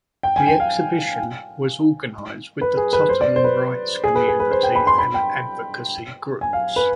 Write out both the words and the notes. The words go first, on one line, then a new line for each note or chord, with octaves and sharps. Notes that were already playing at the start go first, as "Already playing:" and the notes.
The exhibition was organized with the Tottenham Rights community and advocacy groups.
G5
G#5
G5
F5
B4
G#4
B4
C5
D5
C5
B4
G#4
B4
G#4
B4
C5
G5
B5
C6
B5
G5
G#5
F5
B4